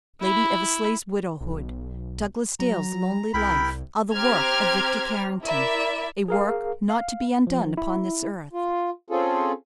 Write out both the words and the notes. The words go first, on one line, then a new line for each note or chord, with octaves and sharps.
Lady Eversleigh's widowhood, Douglas Dale's lonely life, are the work of Victor Carrington--a work not to be undone upon this earth.
E4 B5
B1
F#3 A#5
C2 E4 A#4 G5 B5
C4 G4 C5 A#5 F6 G#6
E4 A#4 D5 E5
G#4 A#4 F5
F5
F3
E4
F4
C4 C#4 F4 G#4 A4